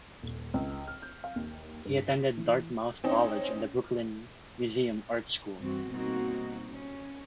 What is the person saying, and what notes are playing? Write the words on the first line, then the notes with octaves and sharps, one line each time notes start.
He attended Dartmouth College and the Brooklyn Museum Art School.
D#1
C#2
F6
G6
F5
D#2
G2
B6
E3
C4 C#4 D#4
G2 E3 C4 F#4
B2 G3 A#3 C4 D#4 F#4
C#4